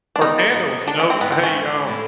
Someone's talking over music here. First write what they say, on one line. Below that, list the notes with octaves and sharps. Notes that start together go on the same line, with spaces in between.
Or candles, you know, "Uh, hey, um,
D4
E2 E3 D#4
G#2
D4
C#4
C4
G#2 B3
C4
C#4
A2